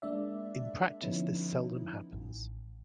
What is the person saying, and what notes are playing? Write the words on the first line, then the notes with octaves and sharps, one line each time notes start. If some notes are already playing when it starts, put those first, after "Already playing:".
In practice, this seldom happens.
G#3 A#3 D4 D5 E5
D3 F3 B3 C#4 D#4 E4
A1